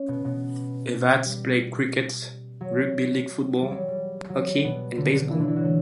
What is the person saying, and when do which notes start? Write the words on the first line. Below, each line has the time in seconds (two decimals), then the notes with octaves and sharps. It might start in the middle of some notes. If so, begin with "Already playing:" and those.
Evatt played cricket, rugby league football, hockey and baseball.
Already playing: C#4
0.08 B2 B3
0.25 B2 B3
1.26 G3
2.61 F#3
3.62 G3
3.71 F#3
3.88 G3
4.29 F#3
4.47 G3
4.64 B2 B3
4.97 D3 D4
5.13 D3 D4
5.31 E3 E4
5.39 D3 D4
5.48 E3 E4
5.56 F#3 F#4
5.64 A3 A4